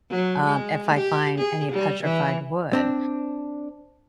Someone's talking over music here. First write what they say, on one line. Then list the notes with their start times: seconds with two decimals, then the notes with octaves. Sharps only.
um, if I find any petrified wood.
0.10 F#3
0.45 G#3
0.94 G4
1.39 G#4
1.72 G3
2.04 E3
2.73 C4 D4